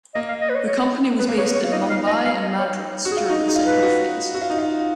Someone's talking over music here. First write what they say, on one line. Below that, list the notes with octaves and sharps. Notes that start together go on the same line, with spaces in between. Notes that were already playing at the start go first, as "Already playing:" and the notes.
The company was based in Mumbai and Madras during the second phase.
A#3 D#5
F5
D#5
B4
C#5
C#5
B3 B4
A#3
B3 C#5
C#5
F4
D#4 D#5
F5
D#5
F5
D#5
C#5
F#4
G#4
F4
D#4 F#4
D#4 G#4
F4
B4
F#4
F#4
F4
D#4
F4